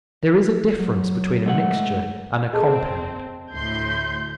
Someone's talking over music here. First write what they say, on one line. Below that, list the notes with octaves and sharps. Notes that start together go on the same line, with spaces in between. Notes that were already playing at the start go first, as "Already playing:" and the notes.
There is a difference between a mixture and a compound.
F#3
G#2 A3 F#5
C4 G#4 A4 D#5 A5
D2 A2 C6 G6